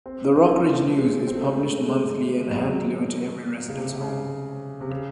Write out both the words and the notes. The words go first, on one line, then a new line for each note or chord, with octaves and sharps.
The "Rockridge News" is published monthly and hand delivered to every resident's home.
C4
C4
C#4
C4
A3
G#3
C4
A3
G#3
A3
G#3
F#3
G#3
F#3
C#3
C3
C3
C#3
C3
C#3